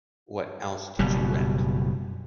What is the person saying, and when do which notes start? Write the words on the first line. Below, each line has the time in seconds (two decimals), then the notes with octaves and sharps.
What else did you rent?
0.99 F#1 B2 G3